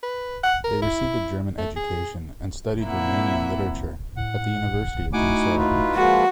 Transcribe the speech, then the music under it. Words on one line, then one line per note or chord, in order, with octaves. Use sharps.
They received a German education and studied Romanian literature at the University of Timisoara.
B4
F#5
A#4
E4
A3
G#4
A#2 A#3 C4 E4 E5 F#5
A2 F#5
A3 D#4 E4 F#4 F#5 G#5 D6
F4 B4
F3 G#3 A#3 F#4